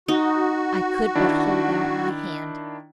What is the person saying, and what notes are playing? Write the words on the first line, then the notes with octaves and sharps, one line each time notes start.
I could but hold out my hand.
D#4 F#4
D#3 D4 E4